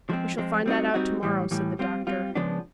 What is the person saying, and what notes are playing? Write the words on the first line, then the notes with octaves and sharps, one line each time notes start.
"We shall find that out to-morrow," said the doctor.
F3 G#3 C4
F3 G#3 C4
G3 C4 D#4 F#4
G3 C4 D#4 F#4
A2 E3 G3
A2 E3 G3
G3 C4 F4
G3 C4 F4
C#3 F3 G#3 B3 D4